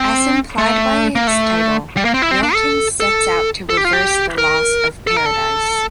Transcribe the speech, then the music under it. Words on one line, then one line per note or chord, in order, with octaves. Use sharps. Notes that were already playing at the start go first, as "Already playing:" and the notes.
As implied by its title, Milton sets out to reverse the "loss" of Paradise.
Already playing: C4
A3
A#3
A3
G3
A#3
C4
E4
C4
D4
A4
A4
A4
G4
F4
G4
A#4
A4
A#4
A4